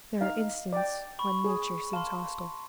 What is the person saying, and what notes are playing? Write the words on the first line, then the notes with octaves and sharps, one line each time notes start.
There are instants when nature seems hostile.
D#4 F5
D5 G5
B5 C#6
G#4
F5 A5 C6